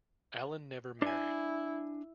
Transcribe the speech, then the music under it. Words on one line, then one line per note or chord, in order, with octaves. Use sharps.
Allen never married.
D4 E4 G#5